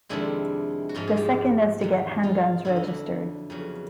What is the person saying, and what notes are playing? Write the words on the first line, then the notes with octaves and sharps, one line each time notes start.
The second is to get handguns registered.
F2 C3 D#3 G#3 C4 D4 E4
F#4
G#2 F3 G#3 D#4 F4
G#4
F4 G4
E2 C3 D#3
D#4 F4
F2 D3 F#3 E4
D#4
D4 E4
F2 C#3 F#3 B3